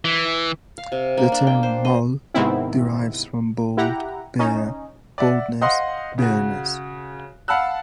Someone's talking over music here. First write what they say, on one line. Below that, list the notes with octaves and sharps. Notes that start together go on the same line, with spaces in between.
The term "mull" derives from "bald, bare, baldness, bareness".
E3
F5
C3
A#3
D4
G5
C5
D#5
G#2 C3 D#3 B3 C4 E4
E4 G4 F#5 A#5
C#4 D#4
D5 E5 F#5
C5 D#5 F5 F#5 C6 D#6
C#3 F#4
F5 F#5 A5 B5 E6 F#6